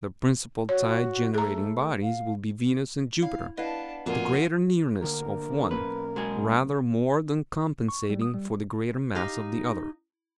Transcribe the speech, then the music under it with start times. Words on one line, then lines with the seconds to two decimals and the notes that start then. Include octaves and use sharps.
The principal tide-generating bodies will be Venus and Jupiter; the greater nearness of one rather more than compensating for the greater mass of the other.
0.69 F#4 C#5
1.34 A3 G#4 A#5
2.03 F5
3.22 E4 F5
3.57 B3 D4 E4 B4 D#5 F5 A5
4.06 F2 A#2 D4 F4 F#4 A#4 G#5
5.02 D2 D3 A#3 A#4
5.71 B1 A#3 C#4 B4
6.16 G#3 F#4 G#4
7.88 C#6
8.10 G3
8.22 D#6
8.34 G3
9.15 D#4 G4 F5